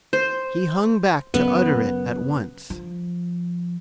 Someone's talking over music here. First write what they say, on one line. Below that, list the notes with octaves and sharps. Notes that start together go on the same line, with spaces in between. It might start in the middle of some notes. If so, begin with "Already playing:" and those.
He hung back to utter it at once.
C5
F#2 C#3 B3
F3